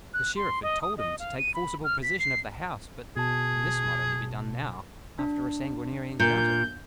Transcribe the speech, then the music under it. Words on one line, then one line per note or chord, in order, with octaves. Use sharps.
The Sheriff had told him to take forcible possession of the house, but this might only be done now after a sanguinary encounter.
F#6
C6
D#5
D#6
D#5
F5
D#7
B5
F6
B6
C7
B2 G#4 A5
D4
A#2 G6